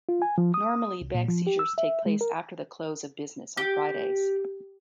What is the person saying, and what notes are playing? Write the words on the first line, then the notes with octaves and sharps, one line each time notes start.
Normally, bank seizures take place after the close of business on Fridays.
F4
G#5
F3
D#6
C2
A#2
F3
G4
E6
E5
G#3
A#4
G4